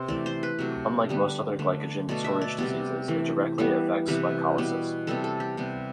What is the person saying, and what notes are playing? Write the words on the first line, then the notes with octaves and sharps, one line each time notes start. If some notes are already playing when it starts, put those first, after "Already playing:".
Unlike most other glycogen storage diseases, it directly affects glycolysis.
Already playing: C3 B3 C5
E3 A3 D5
C5
B4
C3 F#3 A3
D3 G3 B3
D3 A3
B2 A3 D5
E5
D5
C3 G3 B3 D5
E3 A3
E3 G3 B3
C3 E3 G3 B3 B4
B2 G3 B3
C3 G3 B3 A4
A4
G4
C3 G3 B3